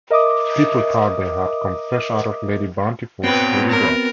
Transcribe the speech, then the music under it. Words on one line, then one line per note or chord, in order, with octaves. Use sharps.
People thought they had come fresh out of Lady Bountiful's goody-box.
A#4 D#5 E5 D6 D#6
G2 A#2 B3 C4 F#4 B4 C#5 G5
A#4